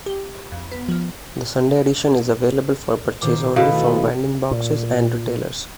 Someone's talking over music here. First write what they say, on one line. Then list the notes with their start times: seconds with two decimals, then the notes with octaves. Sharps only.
The Sunday edition is available for purchase only from vending boxes and retailers.
0.06 G4
0.52 F2
0.71 B3
0.89 F3
3.22 A#2 D#3 C5 D6
3.56 B2 A3 E4 A4 F5
3.71 A3 B3
4.51 A#2